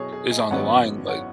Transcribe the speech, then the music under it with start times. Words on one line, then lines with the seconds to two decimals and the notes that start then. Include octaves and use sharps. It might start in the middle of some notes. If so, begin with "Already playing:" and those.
is on the line, like,
Already playing: B2 F#3 B3 G#4 C#5 D#5
0.12 G#4
0.31 D#5 G#5
0.51 G#1 F#2 F#3 B3 D#4 C#5 F#5
1.08 C#5 F#5